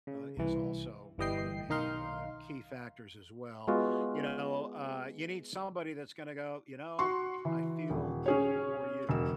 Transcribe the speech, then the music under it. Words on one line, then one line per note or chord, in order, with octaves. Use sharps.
uh, is also one of the, uh, key factors as well. You know, uh, you need somebody that's gonna go, "You know, I feel for you
C#3
C2 E3
G1 E3 G3 D#5 G5 C7
B1 D#3 D#4 F5 C6
G#3 B3 F4 F#4
F#4 C6 C#6
E3
D#1
C#4 G#4 C#5
E1 E7